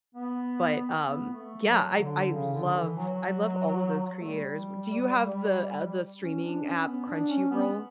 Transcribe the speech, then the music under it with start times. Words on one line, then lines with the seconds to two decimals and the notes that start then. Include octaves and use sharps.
But, um yeah, I I love I love all of those creators, w do you have the, uh the streaming app Crunchyroll?
0.15 B3
1.02 B3
1.34 A3
1.67 F#3
1.99 D3
2.32 C#3
2.53 D3
2.75 E3
2.97 F#3
4.21 A3
4.26 G3
6.22 C#4
6.43 D4
6.65 C#4
6.86 B3
7.08 D4
7.29 C#4
7.51 B3